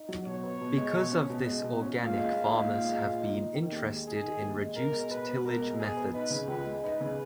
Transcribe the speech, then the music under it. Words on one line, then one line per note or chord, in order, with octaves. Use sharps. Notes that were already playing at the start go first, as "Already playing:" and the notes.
Because of this organic farmers have been interested in reduced-tillage methods.
Already playing: D#4
F#3
B2 C#5
B3
B2
G#3
B2
C#4
B2
G#3
B2
C#4
A#2 F5
G#3
A#2
D#4
A#2
G#3
A#2
D#4
D#4
D#3
D#2
G#3
D#4 G#4
D#3
D#2
G#3
B2 A#4
G#3
B2 B4
B3
B2 A#4
G#3
B2 G#4
B3
D#4 B4
C#3
C#2 B4
G#3
D#4 B4
C#3